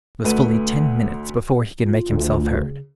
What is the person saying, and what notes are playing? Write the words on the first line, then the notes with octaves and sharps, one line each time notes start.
It was fully ten minutes before he could make himself heard.
D2 A3 B4 D#7
F4
D2
C#3